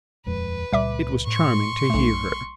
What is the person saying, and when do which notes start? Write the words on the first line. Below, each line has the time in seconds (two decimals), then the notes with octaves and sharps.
It was charming to hear her.
0.26 D#1 F2 G#3 B4
0.73 C#2 A#2 G3 E5 D6
1.27 A2 C6 C#6
1.90 B1 A3